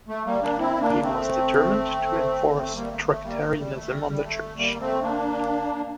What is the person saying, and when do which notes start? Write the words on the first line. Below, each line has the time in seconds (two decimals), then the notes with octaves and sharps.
He was determined to enforce Tractarianism on the Church.
0.08 A3
0.25 G3 A#3
0.42 A#3 D4
0.58 C4 E4
0.76 C4
0.80 A#3 D4
1.03 A3 C4
2.58 A3 C4
2.74 G3 A#3
2.91 A3
3.08 A3
3.24 G3 A#3
3.42 A3
3.53 A3
3.57 G3
3.75 A3
3.90 G3
4.08 G3
4.24 A3
4.57 G3 A#3
4.80 A3 C4
5.02 A#3 D4